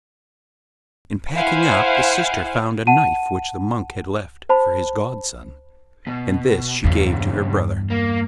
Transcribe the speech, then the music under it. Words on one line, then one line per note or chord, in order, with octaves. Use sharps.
In packing up, the sister found a knife which the monk had left for his godson, and this she gave to her brother.
E4 C5 F5 F#5 G#5
F#5 A5 D#7
C5 A5 B5
B2
B1 E2 G2 C#3
A#3